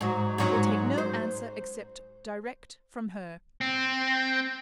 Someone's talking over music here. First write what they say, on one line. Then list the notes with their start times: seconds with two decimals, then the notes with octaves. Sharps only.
I will take no answer except direct from her.
0.01 G#2 F#3
0.38 G#2 F#3 C#4
0.98 C5
3.61 C4